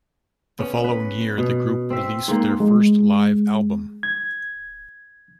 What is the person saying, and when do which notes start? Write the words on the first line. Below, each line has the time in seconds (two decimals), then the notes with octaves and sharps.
The following year, the group released their first live album.
0.59 B3 C#4
0.84 B4
1.38 B2
1.90 C4 E5
2.28 G#2 A#3
2.60 G#3
4.03 G#6